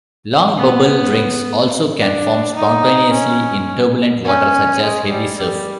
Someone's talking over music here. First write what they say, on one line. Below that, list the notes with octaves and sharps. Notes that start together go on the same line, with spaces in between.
Long bubble rings also can form spontaneously in turbulent water such as heavy surf.
B3
D4
D#4
C#4
C#4
G#3
G3
G3